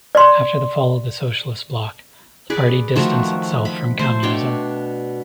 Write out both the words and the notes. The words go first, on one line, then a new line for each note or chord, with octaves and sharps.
After the fall of the Socialist Bloc, the party distanced itself from communism.
D5 C6
G#4 B4 D5
D#3 F3 A3 F#4
B5
A3 C5
B2 D4 C#5 G5